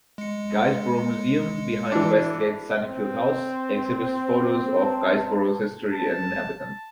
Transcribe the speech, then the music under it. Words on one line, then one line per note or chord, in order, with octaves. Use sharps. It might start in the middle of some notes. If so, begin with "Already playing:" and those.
Guisborough Museum, behind Westgate's Sunnyfield House, exhibits photos of Guisborough's history and inhabitants.
G#3 C#7
E3 D4
C4
A5
A5